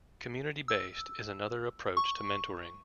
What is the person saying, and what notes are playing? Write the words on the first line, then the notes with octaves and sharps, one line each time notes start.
"Community Based" is another approach to mentoring.
E6
C#6